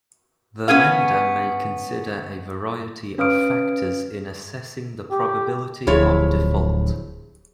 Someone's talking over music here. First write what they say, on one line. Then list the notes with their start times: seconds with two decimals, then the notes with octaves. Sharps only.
The lender may consider a variety of factors in assessing the probability of default.
0.68 B3 C#4 G#4 F5
3.18 C#4 B4 F5 D#6 F6 D7
5.11 G4
5.87 D1 F3 E4 G4 G#4 C#5